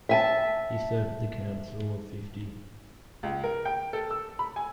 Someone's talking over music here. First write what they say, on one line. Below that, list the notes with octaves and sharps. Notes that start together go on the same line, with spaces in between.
He served on the Council of Fifty.
E5 G#5 A5
C#2
A#4
G5
A4
E6
B5
G#5